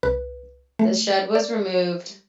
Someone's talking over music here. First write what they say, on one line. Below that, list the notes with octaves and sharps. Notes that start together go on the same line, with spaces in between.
The shed was removed.
C2 B4
A3
D5